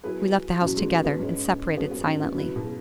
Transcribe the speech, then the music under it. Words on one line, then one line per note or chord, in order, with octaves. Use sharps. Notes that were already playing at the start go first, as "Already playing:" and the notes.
We left the house together, and separated silently.
F#3 B3 E4 G#4 B4
E2 B2 F#3 B3 C#4 F#4
G#3
B3
C#4
B3
G#2 G#3 B3 C#4 G#4 C#5
C#4
F#3 B3 C#4 G#4 C#5
B3
C#4
B3
F#3 C#4 E4 B4
B2
C#3